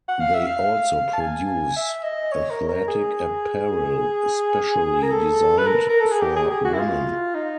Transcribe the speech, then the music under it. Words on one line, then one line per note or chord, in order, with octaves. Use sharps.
They also produce athletic apparel specially designed for women.
F#5
F5
E5
F5
A5
G#5
E5
D#5
C#5
A#4
A#4
G#4
A#4
A4
B4
A#4
A#4
A4
G#4
G4
G#4
G#4
F#4
E4
F4
D#4